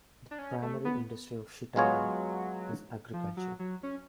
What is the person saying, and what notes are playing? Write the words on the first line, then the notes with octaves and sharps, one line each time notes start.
The primary industry of Shitara is agriculture.
D4
C#4
A3
B3
F#3 G#3 B3 F4 G#4 C#5
F3
F#3
F#3
C#4